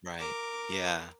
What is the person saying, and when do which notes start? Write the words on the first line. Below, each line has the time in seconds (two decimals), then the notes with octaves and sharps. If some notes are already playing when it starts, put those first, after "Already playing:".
Right. Yeah.
0.18 A#4 D6